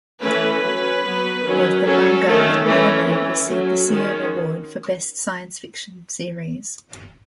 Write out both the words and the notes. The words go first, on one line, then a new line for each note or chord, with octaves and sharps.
Both the manga and anime received the Seiun Award for best science fiction series.
E3 A3 C#4 B4
F#3 C#4
F#3 B3
D#3 F#3 C#4
F#3 C#4 A4
D#3 A3 C#4
E3 A3 C#4
E3 A3 C#4
F#3 A3 C#4 F#4
D#3 G#3 C#4